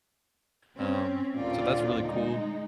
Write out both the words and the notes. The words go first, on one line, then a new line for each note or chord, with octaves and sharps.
um, so that's really cool
C4 C#4
D#2 A#2 D3 C4 F4 D5
G#3 D#4